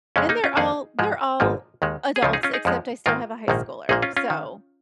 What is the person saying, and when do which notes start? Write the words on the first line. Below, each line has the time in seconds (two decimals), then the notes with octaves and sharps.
and they're all they're all adults, except I still have a high schooler, so
0.16 F2 C#3 G#3 C#4
0.29 A#3 D#4
0.44 C#4 F4
0.57 F2 D#3 A#3 D#4 G#4
0.99 G#2 F3 G#3
1.40 G#1 G#2 F3 A#3
1.82 D#2 D#3 G#3
2.16 G#4
2.22 C#2 C#3 F3 C#4 F4
2.33 D#4 G#4
2.43 C#4 F4
2.54 D#4 G#4
2.65 F2 F3 G#3
3.06 G#2 D#3 A#3 F4 A#4
3.48 A#1 G#2 D#3 A#3
3.89 A#1 A#2 A#3 D#4 G#4
4.02 C#4 F4
4.17 C#4 F4
4.30 D#3